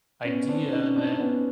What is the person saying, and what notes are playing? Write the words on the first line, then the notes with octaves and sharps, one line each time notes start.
idea that
B3 C#4
C4 D4
C#4 D#4
C4 D4
D4
B3 C#4